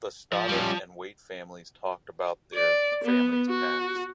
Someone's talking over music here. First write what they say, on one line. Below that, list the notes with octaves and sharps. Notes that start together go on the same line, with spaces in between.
The Stoddard and Waite families talked about there families past.
F3
G3 C#4
D5
B3
F#4